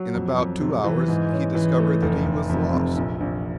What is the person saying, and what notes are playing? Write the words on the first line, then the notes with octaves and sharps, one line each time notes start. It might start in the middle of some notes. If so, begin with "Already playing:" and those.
In about two hours he discovered that he was lost.
Already playing: F#3
F2
F2
C3
E3
G#2
C#4
E3
A3
F1
F1
F2
C3
A#1
A#1